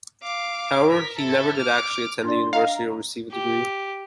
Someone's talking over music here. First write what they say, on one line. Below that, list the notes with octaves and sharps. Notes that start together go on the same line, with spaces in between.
However, he never did actually attend the university or receive a degree.
F5 D6
A#4 B6
E4 A4
D6 F6
D4 D5 C6
D#5 F5 A#5
G4